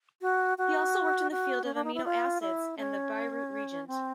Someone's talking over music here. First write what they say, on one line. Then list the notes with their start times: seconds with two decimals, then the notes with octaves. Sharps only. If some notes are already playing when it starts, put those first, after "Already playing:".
He also worked in the field of amino acids and the Biuret reagent.
0.21 F#4
0.58 F#4
1.31 F#4
1.64 C#4
1.75 D4
1.84 D#4
1.94 E4
2.05 F4
2.41 E4
2.78 C#4
3.87 C4